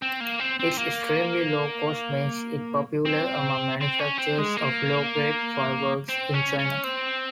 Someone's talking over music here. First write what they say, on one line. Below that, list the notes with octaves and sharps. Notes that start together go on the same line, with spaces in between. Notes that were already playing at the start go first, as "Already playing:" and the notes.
Its extremely low cost makes it popular among manufacturers of low-grade fireworks in China.
C4
A#3
C4
C4
A#3
C4
C4
C#4
C4
G#3
A#3
C4
C#4
C#4
C4